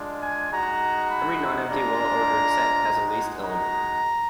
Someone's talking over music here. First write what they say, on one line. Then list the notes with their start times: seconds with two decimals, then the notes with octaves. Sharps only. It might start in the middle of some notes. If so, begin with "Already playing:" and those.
Every non-empty well-ordered set has a least element.
Already playing: G#3 D4 F4
0.21 G#5
0.51 G#3 D#4 F#4 A#5
1.09 B5
1.67 G#3 D4 F4 A#5
2.84 G#3 D#4 F#4
3.43 A#5